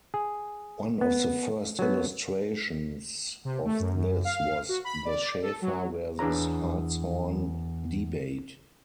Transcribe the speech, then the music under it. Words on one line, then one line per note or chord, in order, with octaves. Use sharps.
One of the first illustrations of this was the Schaefer versus Hartshorne debate.
G#4
B3
F#3 B3
C3
A3
F#2
F5
F#4
B5
D5
A4
F#3
E2 D4 B4 C#5 A#5